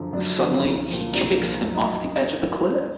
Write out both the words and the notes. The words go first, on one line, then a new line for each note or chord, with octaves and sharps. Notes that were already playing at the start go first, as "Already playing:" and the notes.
Suddenly, he kicks him off the edge of the cliff.
Already playing: F#2 D3 F3
F#2 D4
D3 F3
C2
A#2 F3
C2 D4
A#2 F3
F#2
D#4